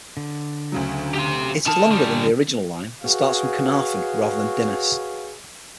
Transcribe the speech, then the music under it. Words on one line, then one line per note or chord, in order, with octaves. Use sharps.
It is longer than the original line and starts from Caernarfon rather than Dinas.
D3
D2 C#3 F#3
G4 C6
D3 A5 D#6 F6
D3 G3 C#6
F#4 G#4 B4 C#5 F5